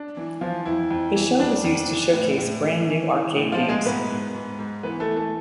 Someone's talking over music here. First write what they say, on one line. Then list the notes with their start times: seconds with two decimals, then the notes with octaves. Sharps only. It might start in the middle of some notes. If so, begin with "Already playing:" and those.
The show was used to showcase brand new arcade games.
Already playing: D4
0.17 E3
0.41 E3 F3 F4
0.66 F2 E3 E4
0.90 F2
1.16 E3
1.39 F2 D4
1.64 F2
1.89 E3
2.13 A2
2.38 A2
2.62 E3
2.87 E3
3.12 E3
3.36 A2
3.52 F3 F4
3.60 A2
3.68 G#3 G#4
3.85 G#2 B3 B4
4.10 G#2
4.35 G#2
4.59 G#2
4.83 E3 B3 B4
5.00 A3 A4
5.09 E3
5.16 A3 A4